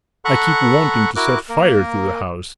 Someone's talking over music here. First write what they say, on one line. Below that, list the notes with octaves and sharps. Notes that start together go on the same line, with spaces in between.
I keep wanting to set fire to the house.
A4 F#5 A#5 B5 C#6 F#6
E4 F#4 A#4 D6 F#6
A#3 A#4